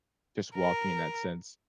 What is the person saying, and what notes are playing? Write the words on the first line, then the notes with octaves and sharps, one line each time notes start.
just walking in that sense
A#4